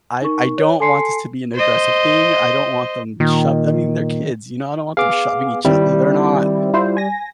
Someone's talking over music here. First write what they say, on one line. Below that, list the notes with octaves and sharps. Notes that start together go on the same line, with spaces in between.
I I don't want this to be an aggressive thing, I don't want them shove I mean, they're kids, you know, I don't want them shoving each other. They're not
D#4 A#4 C#6
C#5
A4 G#5 A5 C6 C7 C#7
C5 D#5
A#2 D#3
B3 G#4 F5 D6
D#3 G3 C4 E4
E4 F4 C5
G#5 A#6